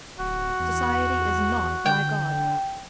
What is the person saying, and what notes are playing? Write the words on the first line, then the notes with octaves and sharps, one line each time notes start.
Society is not my God.
D1 F#4
E2
D3 G5